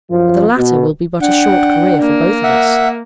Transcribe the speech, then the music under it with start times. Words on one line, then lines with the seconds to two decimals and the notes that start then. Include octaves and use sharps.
But the latter will be but a short career for both of us.
0.10 F#2 F3
0.57 B2
1.22 D4 F#5 G5
2.00 A#3
2.44 E5 F#5